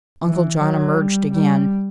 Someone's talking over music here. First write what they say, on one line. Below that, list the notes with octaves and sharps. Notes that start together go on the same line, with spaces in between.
Uncle John emerged again.
E3
F#3
G3
G3